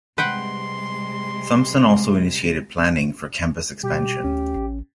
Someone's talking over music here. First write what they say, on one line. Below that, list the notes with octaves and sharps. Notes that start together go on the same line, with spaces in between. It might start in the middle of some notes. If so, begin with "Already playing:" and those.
Thompson also initiated planning for campus expansion.
C3 G3 G#3 B4 F#5 G5 C6
B2 G3 G4
D2 C#4
A1